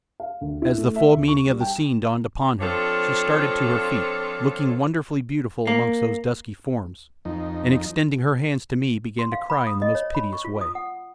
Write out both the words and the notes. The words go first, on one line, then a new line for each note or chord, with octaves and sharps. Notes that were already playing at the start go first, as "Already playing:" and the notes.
As the full meaning of the scene dawned upon her she started to her feet, looking wonderfully beautiful amongst those dusky forms, and extending her hands to me began to cry in the most piteous way.
F5
D2
E4
A3
E5
D2
C#6
G3
G5
E7
F3 C4 D4 F4 A4 C#5
A#3
F2 D#4
C6
F5
B5
D#6
D#5
C#5
B5
C#6
F4
D#6
F#5